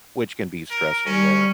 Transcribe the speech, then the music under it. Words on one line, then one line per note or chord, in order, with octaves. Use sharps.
which can be stressful, yeah.
A#4
G3 C#4